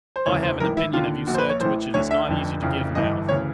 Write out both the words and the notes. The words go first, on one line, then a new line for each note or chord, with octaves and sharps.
I have an opinion of you, sir, to which it is not easy to give mouth.
C5
E1 D2 C#3 E3 C#5
C5
A1 G#2 E3 A#4
E4
D#2 D3 F4
A#1 A#2 F#4
C5
B4
C#5
A1 A2 E3 C5
D2 D3 C#5
E5
F1 F2 D3
F1 F2 C#3 E3
G1 G2 E3 D#5
D2 C#3 E3 C#5